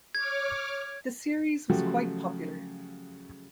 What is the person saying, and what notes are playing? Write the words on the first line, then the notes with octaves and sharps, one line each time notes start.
The series was quite popular.
C#5 D6 F6 G#6
C#3 F3 F#3 A3 F#4 G4